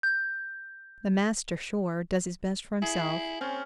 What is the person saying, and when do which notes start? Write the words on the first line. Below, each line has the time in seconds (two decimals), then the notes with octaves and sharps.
The master, sure, does his best for himself!
0.03 G6
2.82 E4 G#4
3.41 C4 C#4